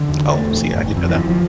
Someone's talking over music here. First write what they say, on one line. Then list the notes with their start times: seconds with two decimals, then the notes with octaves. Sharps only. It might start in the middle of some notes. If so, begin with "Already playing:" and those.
Oh, see, I didn't know that.
Already playing: D3
0.09 E2
0.31 E2 A3
0.53 E1
0.74 G1
0.97 F2
1.09 E3
1.17 G1 F3
1.30 F3